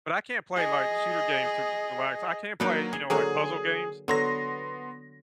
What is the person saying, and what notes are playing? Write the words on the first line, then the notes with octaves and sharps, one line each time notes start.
But I can't play, like, shooter games to r relax, I can play, you know, like, puzzle games.
G#4 D#5
F#3 A#3 D4 D#4 B4
G#4
D3 F#3 A#3 G#4
D3 F#3 B3 C6 A#6